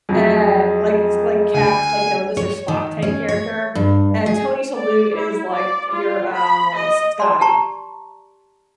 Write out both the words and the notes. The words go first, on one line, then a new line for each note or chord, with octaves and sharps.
uh, like, s like, capt like, you know, the Mr. Spock type character, and Tony Shalhoub is, like, your, um, Scotty.
F2 F#3 G#3
D2 G#5
C#5
D#3
C#4
C#5
G2
G#4
D5
E4
D5
F4
B5
D#5
D5 C6
G4 A5 A#5 C#6